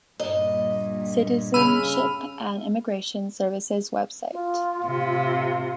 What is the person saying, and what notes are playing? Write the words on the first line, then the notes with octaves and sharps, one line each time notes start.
Citizenship and Immigration Services website.
G2 A#2 D#5
C#3 B5 E6 F6 D#7
F4
A2 C3